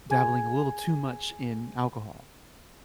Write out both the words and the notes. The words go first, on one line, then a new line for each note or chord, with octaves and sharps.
dabbling a little too much in alcohol.
G#4 G#5 G#6